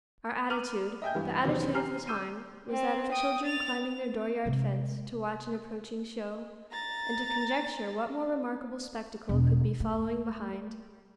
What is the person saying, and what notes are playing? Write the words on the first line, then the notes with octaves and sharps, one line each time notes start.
Our attitude--the attitude of the time--was that of children climbing their dooryard fence, to watch an approaching show, and to conjecture what more remarkable spectacle could be following behind.
A#5 D6 F6 D#7 F7 F#7
D#5 E5 G5 G#5 G6
G2 E3
E2 C3 D#3 F#3 B3 C#4
G4 G#5 A#5 F6 C7
D6 E6 G6 D#7
C4
G5 D#6
A6 F7
C3 G#3
A#5 A6
E1
A3